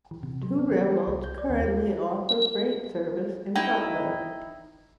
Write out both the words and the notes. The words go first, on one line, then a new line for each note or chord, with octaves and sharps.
Two railroads currently offer freight service in Butler.
E3
C3
F#3
B3
E3
G4
C2
G6
D5
D#2
F4
D#4 E4 D#5 G5